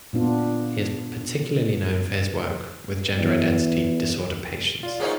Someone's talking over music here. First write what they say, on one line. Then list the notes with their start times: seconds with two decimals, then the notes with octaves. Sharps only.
He is particularly known for his work with gender identity disorder patients.
0.13 A#2 B3 D4 F4
3.20 E2
4.83 F4 D5
5.00 A#3 C#4 D#4 G#4 C5 C#5 F#5